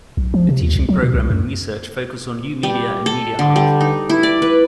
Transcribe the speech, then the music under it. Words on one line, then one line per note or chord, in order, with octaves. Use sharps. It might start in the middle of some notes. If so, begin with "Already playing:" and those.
The teaching programme and research focus on new media and media art.
B1
F3
C3
D#2
C2
F#3
B2
C2
F#2
G3
A4
D3
G3
D#4
E4
D5
B4